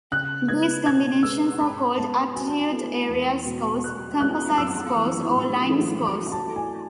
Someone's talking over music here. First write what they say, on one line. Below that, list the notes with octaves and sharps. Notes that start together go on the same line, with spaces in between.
These combinations are called "aptitude area scores", "composite scores", or "line scores".
C#3 F#6
G#3 B3 E4 B4 G#6
B2 G#6
G#3 C#4 G#4 B4 E6
G#2 B5
G#3 B3 A5
F#3 G#5
A5
G#5
B3 E4 A4
E2
B2 G#3 B3 F#4
F#3 F#6
B3 E4 G#4 F#6
F#2 E6
E3 B3 E4
A2
E3 A3 C#4 G#4
F#3 D6
A5
A3 E4 A4
G#5